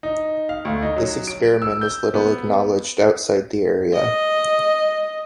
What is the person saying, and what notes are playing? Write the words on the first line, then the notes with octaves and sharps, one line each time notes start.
This experiment is little acknowledged outside the area.
D#4
F5
D2
D#4
F#3
D7
E6
G6
B3
D#5